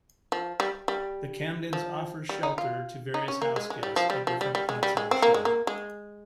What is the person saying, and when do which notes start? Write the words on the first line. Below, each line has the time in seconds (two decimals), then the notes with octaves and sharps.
The Camdens offer shelter to various house guests at different points in the show.
0.32 F3
0.60 G3
0.88 G3
1.73 F3
2.29 G3
2.43 D#4
2.58 F4
3.14 D#4
3.28 C#4
3.42 A#3
3.56 G#3
3.70 G#3
3.83 G3
3.96 F3
4.10 G3
4.27 F3
4.41 G3
4.55 G3
4.69 G#3
4.83 G3
4.97 G#3
5.11 C4
5.22 A#3
5.34 G#3
5.45 A#3
5.67 G#3